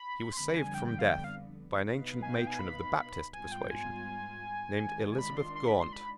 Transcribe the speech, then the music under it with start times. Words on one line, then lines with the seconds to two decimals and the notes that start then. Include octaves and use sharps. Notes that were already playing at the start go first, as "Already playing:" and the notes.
He was saved from death by an ancient matron of the Baptist persuasion, named Elizabeth Gaunt.
Already playing: B5
0.32 C6
0.37 F2 D3 G3 B3 B5
0.56 G#5
0.74 G5
0.86 G5
0.99 F5
1.12 G5
1.24 F5
1.85 B2 B3 D#4 B4 F5
2.22 G#5
2.35 G5
2.47 G#5
2.59 B5
3.33 G#2 G3 B3 F4 G#5
3.52 G5
3.70 G#5
4.81 D#3 G#3 D4 F4
5.12 G#5
5.19 B5
5.37 C6
5.55 C6
5.68 B5
5.80 C6
5.93 B5